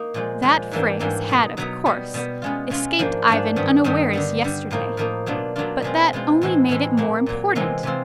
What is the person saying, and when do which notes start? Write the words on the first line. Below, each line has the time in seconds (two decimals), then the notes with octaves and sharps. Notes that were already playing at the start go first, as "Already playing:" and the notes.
That phrase had, of course, escaped Ivan unawares yesterday, but that only made it more important.
Already playing: A#3 D#4
0.14 A#2 F3 G#3
0.42 A#2 F3 G#3
0.71 G#2 E3 G3 A#3 D4
0.99 G#2 E3 G3 A#3 D4
1.29 B2 F#3 B3 D#4
1.57 B2 F#3 B3 D#4
1.86 B2 G3 B3
2.14 B2 G3 B3
2.42 B2 G#3 C#4 F4
2.70 B2 G#3 C#4 F4
2.99 G#2 F3 A#3 D4
3.28 G#2 F3 A#3 D4
3.56 G2 D#3 G3 B3
3.84 G2 D#3 G3 B3
4.13 D3 G3 B3
4.41 D3 G3 B3
4.71 A2 F3 A#3 D#4
4.97 A2 F3 A#3 D#4
5.26 B2 F#3 A#3 D4 F4
5.56 B2 F#3 A#3 D4 F4
5.82 B2 G#3 C4 F4
6.13 B2 G#3 C4 F4
6.41 A2 E3 G#3 C4
6.69 A2 E3 G#3 C4
6.97 A#2 F#3 A#3
7.26 A#2 F#3 A#3
7.55 C3 E3 G#3 C4 F4
7.83 C3 E3 G#3 C4 F4